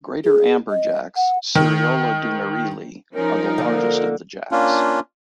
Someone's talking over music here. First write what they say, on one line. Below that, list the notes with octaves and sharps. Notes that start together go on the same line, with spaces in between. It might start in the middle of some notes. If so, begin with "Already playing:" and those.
Greater amberjacks, "Seriola dumerili", are the largest of the jacks.
G#4
D#5
F#5
D#3
F3 C#4 D#4 A#4
D3 A#3
A#3 C#4 D4 F4